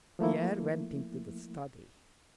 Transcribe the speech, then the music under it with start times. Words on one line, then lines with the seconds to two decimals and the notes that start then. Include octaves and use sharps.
Pierre went into the study.
0.19 F3 A3 A#3 E4